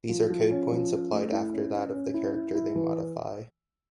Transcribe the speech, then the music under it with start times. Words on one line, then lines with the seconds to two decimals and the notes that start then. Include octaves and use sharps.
These are codepoints applied after that of the character they modify.
0.09 F3
0.30 F3
0.51 C#4
0.72 F3
0.91 C#4
1.12 A3
1.32 E4
1.53 C#4
1.74 C#4
1.94 C#4
2.14 E4
2.34 E4
2.55 E4
2.76 E3